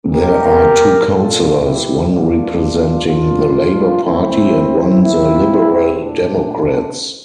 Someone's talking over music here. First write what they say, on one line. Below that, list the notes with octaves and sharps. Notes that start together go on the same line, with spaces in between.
There are two councillors, one representing the Labour Party and one the Liberal Democrats.
C3 G3 A#3 G4 A#4
A#2 G3 A#3 F4 A4
E4 G4
A2 E3 G3 A#3 D4 F4
A#2 F3 A#3 D4 F4
D3 A3 C4 E4
A#2 F3 A#3 C4 E4
A#2 A3 D4